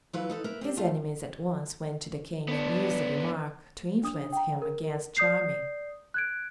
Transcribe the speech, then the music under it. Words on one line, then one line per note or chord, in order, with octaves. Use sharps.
His enemies at once went to the King and used the remark to influence him against Charming.
E3 F#3 E4 F4 A4 B4
D#4 A4 B4
A#3 A#4 B4 E5
C4 G4
A3 F4
B3 D4
D4 D#6
G5 A#5
A#4
D5 D#6 G6 C7
F#6 G#6 D7